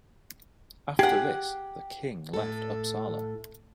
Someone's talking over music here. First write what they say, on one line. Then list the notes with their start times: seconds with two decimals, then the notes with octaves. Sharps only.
After this, the King left Uppsala.
0.99 G4 G#4 F#5
2.34 A2 A4